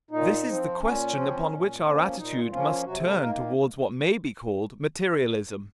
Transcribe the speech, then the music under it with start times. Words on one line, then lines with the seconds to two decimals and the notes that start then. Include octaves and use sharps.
This is the question upon which our attitude must turn towards what may be called materialism.
0.11 A#2 D#4
0.45 F3 C4
0.79 A#2 C#4
1.14 F3 C4
1.48 A#2
1.82 F3 A#3 C#4
2.16 A#2 D#4
2.50 F3 A#3 C#4 F4
2.84 C3 F#3 F#4
3.01 A3 A4
3.18 D#3 A#3 A#4